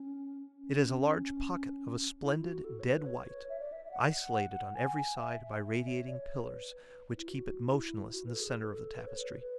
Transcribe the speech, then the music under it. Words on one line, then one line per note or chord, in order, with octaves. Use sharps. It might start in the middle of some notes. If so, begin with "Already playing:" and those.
It is a large pocket, of a splendid dead-white, isolated on every side by radiating pillars which keep it motionless in the centre of the tapestry.
Already playing: C#4
C#4
E4
F#4
A4
C#5
B4
C#5
E5
D5
E5
E5
F#5
F#5
G#5
G#5
E5
E5
C#5
D5
C#5
B4
E4
F#4
E4
F#4
B4
A4
G#4
B4
A4
B4
C#5
B4
B4